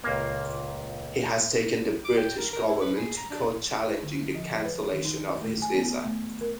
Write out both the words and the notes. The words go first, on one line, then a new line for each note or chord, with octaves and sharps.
He has taken the British Government to court challenging the cancellation of his visa.
C#2 A#2 A#3
D6
G5
A#4
A#4
E4
B4
G#4
A#5
D4
D3
F3
B4
D#3
D#4
A3
G#5
B3
A3
A#4